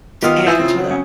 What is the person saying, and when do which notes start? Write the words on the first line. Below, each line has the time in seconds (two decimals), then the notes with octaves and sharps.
adding to the
0.23 D#3 B3 F4 G4 D#6 F6
0.47 E4 F4 B4 G#5 G6
0.59 C#3 C4 F4
0.77 F#3
0.91 C#4